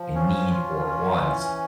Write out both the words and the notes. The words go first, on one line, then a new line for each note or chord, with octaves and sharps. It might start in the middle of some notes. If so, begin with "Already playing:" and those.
I need or want,
Already playing: F3
C#4
F4
C#4
E3